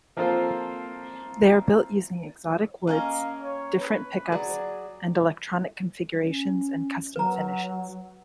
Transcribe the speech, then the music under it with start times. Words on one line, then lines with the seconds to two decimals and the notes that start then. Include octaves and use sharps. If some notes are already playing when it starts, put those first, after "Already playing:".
They are built using 'exotic' woods, different pickups and electronic configurations and custom finishes.
0.17 F3 A#3 C4 F4 A4 C5
2.87 A#3 C#4 D#5 F5
3.41 C#5
3.79 B4
4.32 F#3 G#4 D5
6.24 C#4
7.16 F#3 B4 A#5